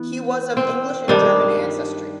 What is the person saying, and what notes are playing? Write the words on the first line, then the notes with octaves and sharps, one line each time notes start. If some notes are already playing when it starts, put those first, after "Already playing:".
He was of English and German ancestry.
Already playing: E3 B3
C4
G2 D#3 G3 D4